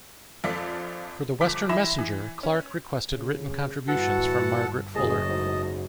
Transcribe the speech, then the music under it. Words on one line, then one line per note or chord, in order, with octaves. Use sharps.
For the "Western Messenger", Clarke requested written contributions from Margaret Fuller.
A#1 F2 F4 A4 D5 B6
G1 F3 D6 B6
E3 E5 B5 C6 A#6 E7
E3
C#4
C#3
G1 E3 F#4 A4 F#5 A5
F#1 F#2 A2 G#4 D#5 A5
G#2